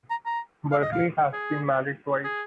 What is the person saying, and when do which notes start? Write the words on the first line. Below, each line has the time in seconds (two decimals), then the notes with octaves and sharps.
Berkeley has been married twice.
0.11 A#5
0.26 A#5
0.72 F5
0.82 D#5
0.92 F5
1.33 G#4
2.24 G#4